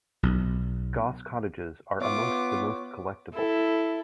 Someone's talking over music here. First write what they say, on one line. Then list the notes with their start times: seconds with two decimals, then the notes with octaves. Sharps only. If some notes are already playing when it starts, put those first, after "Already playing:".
Goss cottages are amongst the most collectible.
0.23 B1
2.01 B3 F4 C#5 E5 D6
3.34 E4 A4